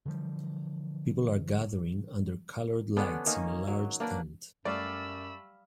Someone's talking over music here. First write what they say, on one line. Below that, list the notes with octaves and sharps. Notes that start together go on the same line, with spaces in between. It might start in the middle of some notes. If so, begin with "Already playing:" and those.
People are gathering under colored lights in a large tent.
D3 E3 F3 G3
D3 B3 C#4 D4
D#3 A#3 C#4 D#4
F#3
A#3 D4 B4 D5
F#2 G3 A3 D5 F5 B5 E6